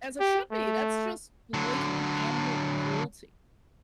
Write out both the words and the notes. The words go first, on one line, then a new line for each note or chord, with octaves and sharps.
As it should be, that's just blatant animal cruelty.
G4
A3
D3 F#3